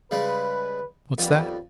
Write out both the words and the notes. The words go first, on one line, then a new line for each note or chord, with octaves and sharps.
What's that?
C#3 G3 G#3 B4
F2 D#3 G3 B3